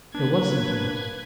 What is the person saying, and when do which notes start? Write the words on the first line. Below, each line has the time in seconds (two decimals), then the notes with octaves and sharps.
There was something else.
0.15 A#3 D4 B4 G#6